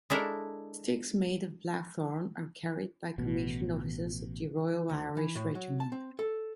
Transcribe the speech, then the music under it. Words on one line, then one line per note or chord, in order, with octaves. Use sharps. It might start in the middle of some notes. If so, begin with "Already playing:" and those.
Sticks made of Blackthorn are carried by commissioned officers of the Royal Irish Regiment.
G#3 D4 E4 A4 A#4
A1 B2
D2
E3
A2
F#3
A5
C4
A4